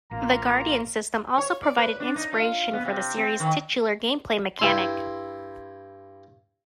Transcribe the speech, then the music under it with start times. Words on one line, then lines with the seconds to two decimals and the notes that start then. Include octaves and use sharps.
The Guardian system also provided inspiration for the series' titular gameplay mechanic.
0.11 A1 A#3 F4 A#5
1.38 C#5
1.63 D5
1.78 B4
2.00 D4
2.16 D#4
2.33 F4
2.73 B3
2.85 C3
3.17 C4
3.40 D#3
4.59 G2 E4 C6